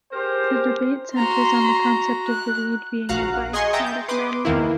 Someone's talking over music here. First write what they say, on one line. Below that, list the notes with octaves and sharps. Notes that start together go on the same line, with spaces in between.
The debate centres on the concept of the Rede being advice, not a commandment.
G4 G#4 A#4 C5
F#4 A#5 C6
F#6
A#1 F#4 F5 A#5 F#6
G#4 D#5 G#5 C6 C#6 G#6
D#5 E5 G5 A#5 G6 A6
G6
B4 C6 D6 D#6
E2 D#3 A#3 E4